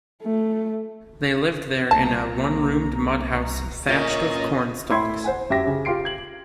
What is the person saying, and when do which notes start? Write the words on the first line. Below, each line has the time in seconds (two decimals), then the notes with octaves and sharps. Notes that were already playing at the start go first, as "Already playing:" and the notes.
They lived there in a one-roomed mud house thatched with corn stalks.
0.22 A3
1.91 C2 A#3 A5 A#5
3.89 C#4 F4 A#4 D#5
4.90 A2 E4 C6 G#6
5.24 C5 F#5 G#5
5.50 F#2 G4 E5 G5 A#6
5.67 C#3
5.85 F4 G4 C6 C7 D7
6.05 G#6 F#7